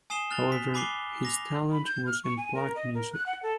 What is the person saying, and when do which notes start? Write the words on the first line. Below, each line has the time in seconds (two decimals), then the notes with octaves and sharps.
However, his talent was in black music.
0.10 G#5 D#6 C7 E7 G7
0.31 F6 F#6 A6 F7 G7
0.52 B6
0.74 G#5 B5 D6 F#6 C7 G7
1.23 D6 A#6 F7
1.72 B5
1.86 G6
2.06 F6
2.24 C#6
2.37 G#5
2.55 A#4
2.76 D#5
2.95 A#4
3.13 F#6
3.26 F#5
3.43 A4